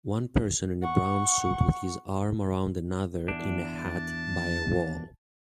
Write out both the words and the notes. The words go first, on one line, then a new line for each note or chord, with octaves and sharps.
One person in a brown suit with his arm around another in a hat by a wall.
F#5 C#6
E2 D4
A5